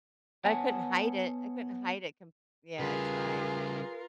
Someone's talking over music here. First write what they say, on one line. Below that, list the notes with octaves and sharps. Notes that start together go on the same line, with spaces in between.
I couldn't hide it; I couldn't hide it com Yeah, I try.
B3 C#5 F#5 G#5 A5
C#3 G3 F4 G#4 A#4 B4